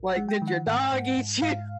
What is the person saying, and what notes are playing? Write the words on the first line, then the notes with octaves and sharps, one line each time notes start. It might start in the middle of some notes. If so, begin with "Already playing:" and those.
Like, "Did your dog eat you?"
Already playing: A1
F#5
G#3
G5
D#3
F#5
G#2 F#5
G#2
G#2
G#2 F5